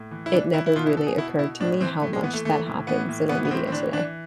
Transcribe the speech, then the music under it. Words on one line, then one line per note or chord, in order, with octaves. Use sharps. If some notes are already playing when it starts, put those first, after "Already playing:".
it never really occurred to me how much that happens in our media today.
Already playing: A2
E3
E4
E3 D4
E3 E4
E4
B2 F4
E4
B2 A4
G#4
B2 E4
B2 E4
A2 D4
E3 C4
A2 A3
G#3
E3 B3
A3
E3 A3
A2
E3 B3
A2
E3 B3
B3
A2 C4
C4
E3 D4
E3 D4